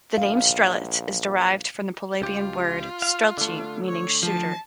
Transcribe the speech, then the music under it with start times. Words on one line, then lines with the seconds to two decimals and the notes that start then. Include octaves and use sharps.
The name "Strelitz" is derived from the Polabian word "Strelci", meaning "shooter".
0.18 A#1 F5
2.22 C#2 F4 G4
3.02 F5
3.38 D3 A3
3.87 C#5
4.23 F3 A5